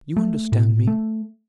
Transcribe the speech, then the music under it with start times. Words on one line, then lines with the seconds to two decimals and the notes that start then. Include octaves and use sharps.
You understand me?
0.17 A3
0.52 A2
0.87 A3